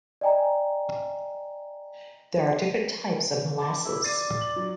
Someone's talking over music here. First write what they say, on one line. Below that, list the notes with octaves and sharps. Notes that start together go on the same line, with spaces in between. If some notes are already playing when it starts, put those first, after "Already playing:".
There are different types of molasses.
D5 D#5 G5 G#5 A#5
A5 D6
E4 E5 D6
D5 A6 C7 D#7
F#7
F#3